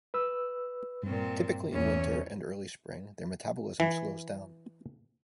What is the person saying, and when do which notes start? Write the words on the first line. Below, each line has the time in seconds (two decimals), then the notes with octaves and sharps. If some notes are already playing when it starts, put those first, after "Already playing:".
Typically in winter and early spring their metabolism slows down.
0.14 B4 E6
1.03 G2 A#2 C4
1.72 E2 C#4
3.80 E3